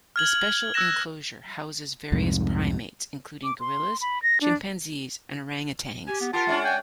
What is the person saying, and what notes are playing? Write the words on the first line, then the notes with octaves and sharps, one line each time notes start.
The special enclosure houses various primates, including gorillas, chimpanzees and orangutans.
F6 G#6 F#7
F#7
E6 F#6 G#6 A#6 E7
C2 F2 G#2
D6
C6
B5
A#6
D4
G4 G#5
B3
F4 G4 A#4 F#5 A5
G#3 C#4 D4
G5 G#5